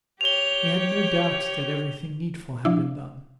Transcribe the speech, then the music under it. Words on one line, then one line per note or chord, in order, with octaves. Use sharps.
He had no doubt that everything needful had been done.
G4 C#5 F7 G7
F3 D4 E4